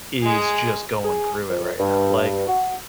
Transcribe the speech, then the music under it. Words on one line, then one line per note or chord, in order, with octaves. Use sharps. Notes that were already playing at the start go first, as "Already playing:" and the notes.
is just going through it right now, like
G#3 G#4
G#4
F2
G2
F#4